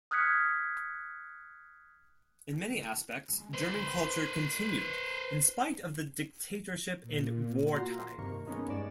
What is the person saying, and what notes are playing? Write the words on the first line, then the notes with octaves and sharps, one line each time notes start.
In many aspects, German culture continued in spite of the dictatorship and wartime.
D#6 F6 F#6 G#6 B6 C#7
B4 C5
A#2
A#3 F4 F#4 A#5 C6
G2 C3 D#3 A#3 A#4 C#6
G#3 A#3 B3 C#4 D#4 A#4
G2 G#3 C#5 D5 E7